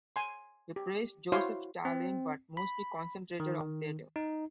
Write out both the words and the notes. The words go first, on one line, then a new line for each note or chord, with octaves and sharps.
He praised Joseph Stalin, but mostly concentrated on theater.
G#5 C6
G4
E4 F#4 C5 C#5 F5 C6
C4
B5
D#3
D#4